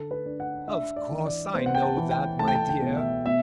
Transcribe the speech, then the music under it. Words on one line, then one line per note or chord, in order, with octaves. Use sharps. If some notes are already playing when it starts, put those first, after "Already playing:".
'Of course I know that, my dear.
Already playing: D3 A4
B4
D4
F#5
D4 E5
D5
E3
D5
B3 C5
F#5
G5
A5
E3
G5
A3 A5
G5
A5
G5
B2
E5
B2 E5